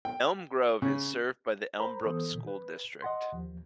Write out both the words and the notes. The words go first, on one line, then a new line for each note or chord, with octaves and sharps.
Elm Grove is served by the Elmbrook School District.
G5
C#3
A#4 C5 A#5 B5
E3 B3 A4 C5 D#6
A#2 D#3
B4
D#5 F#5 C6
D#2 F3